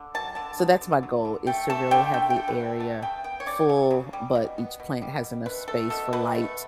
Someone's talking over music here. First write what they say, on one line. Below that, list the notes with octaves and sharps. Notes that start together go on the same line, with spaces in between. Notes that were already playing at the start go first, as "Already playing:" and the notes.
so that's my goal is to really have the area full, but each plant has enough space for light,
Already playing: D3
F#3 A5
D3 A5
B3
D3
F#3
D3
A3 G5
A3 A5
D3 G5
D3 G5
G5
A3
B4
A3
F#3 A5
C#3 G5
B3 G5
C#5
C#3 D5
F#3
C#3
G3
B2
B3
B2
G3
B2
A3 B4
A3 A4
B2 A4
B2 B4
A3